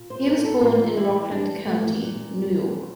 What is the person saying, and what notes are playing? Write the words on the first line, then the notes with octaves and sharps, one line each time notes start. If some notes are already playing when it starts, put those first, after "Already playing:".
He was born in Rockland County, New York.
Already playing: A#2
C5
A#4
A4
A2 E3 F4
E4
D4
A3
A3
A#3
A#2